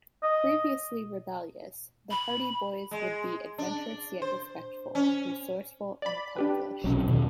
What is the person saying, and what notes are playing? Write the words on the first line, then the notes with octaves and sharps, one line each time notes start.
Previously rebellious, the Hardy Boys would be adventurous yet respectful, resourceful and accomplished.
D#5
B5
G#3
D4
C5
C#4
D5 B5
D4 G4 B4
B1 C3 F#3 C#4
E2 B2 D#3